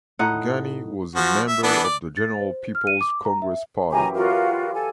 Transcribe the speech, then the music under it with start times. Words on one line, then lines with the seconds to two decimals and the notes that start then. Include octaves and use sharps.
Ghani was a member of the General People's Congress party.
0.19 A2 D#4 F#5
1.16 F3 F#4
1.48 E5
1.63 E3 B3 D4
1.84 D5
2.17 A6
2.40 C5
2.75 F6
2.87 D#7
3.01 D6
3.25 A#5
3.42 E5
3.92 F#2 E3 G4 G#5 A#5
4.14 F4 F#4 A#4 F5
4.73 A4 G#5